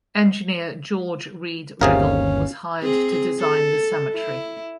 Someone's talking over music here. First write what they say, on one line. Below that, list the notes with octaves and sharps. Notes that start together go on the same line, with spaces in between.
Engineer George Read Riddle was hired to design the cemetery.
G1 D#2 C3 C#4 G#4 A#4 F5
C4 G#4
A4
E4